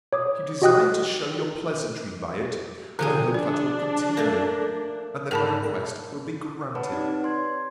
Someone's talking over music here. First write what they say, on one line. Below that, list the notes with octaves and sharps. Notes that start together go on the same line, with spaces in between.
If you designed to shew your pleasantry by it, I hope that will continue; and then my request will be granted.
C#5 D6 D#6
F#4 G4 D#5 G5 D#6 F#6
D3 F3 G4 G#4
D4 D5
A3 A#3
G#2 A#4 A5 B5
B4 C#5 F#5 A5 B5
C4 D#4 G4 B4 D5
C#5 C6 G#6